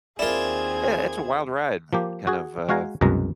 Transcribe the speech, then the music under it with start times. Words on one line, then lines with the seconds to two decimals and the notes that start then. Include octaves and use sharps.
eh it's a wild ride kind of, uh,
0.19 D#2 C4 E4 F4 G#4 A#4 D5 G#6
1.93 F3 A#3 G4
2.27 F#4 G#4
2.69 G#3 F#4 F5 G#5 A#5
3.01 C2 F#2 B2 G#3 A#5